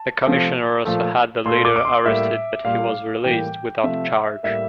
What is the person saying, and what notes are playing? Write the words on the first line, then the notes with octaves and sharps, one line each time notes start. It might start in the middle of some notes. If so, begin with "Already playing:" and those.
The Commissioner also had the leader arrested but he was released without charge.
Already playing: A5
C3 F3 A3
A#2 F3 A3
A#2 A3 C6
D6
D6
C6
A2 G3 A#3 E5
A#2 G3 A#3 F5
A2 E3 G3 A#3 G5
C3 F3 A3 E5
A2 G3 A#3 E5